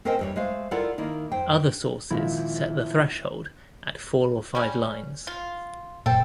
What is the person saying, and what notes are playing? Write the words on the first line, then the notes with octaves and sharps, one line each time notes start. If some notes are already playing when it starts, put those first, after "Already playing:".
Other sources set the threshold at four or five lines.
C4 C#4 A#4 C5 D#5 G5
E2 G3 C#5
G#3 A3 C5 F5
E4 F4 A4 A#4 D5 F#5
D#3 A#3 E4
F2 C5 G5
G#1 A#2 F3 E4
G3 C#4
F4
F#1 A#2 A4 C5 G5